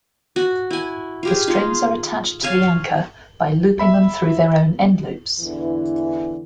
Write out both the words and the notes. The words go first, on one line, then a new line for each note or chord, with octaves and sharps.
The strings are attached to the anchor by looping them through their own end-loops.
F#4
E4 G#5
F4 G4 G#4
D#4 F4 G#4
C#5 F5 G#5 A5
E5 B5
E2 D3 E3